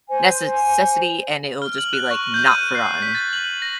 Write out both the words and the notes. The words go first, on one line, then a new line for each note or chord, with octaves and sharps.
nece cessity and it'll just be, like, not forgotten.
C5 G#5
F6
F#7
F#6
C#6
G6
D#7
F#6
C7
B6
A6
F#7
A#6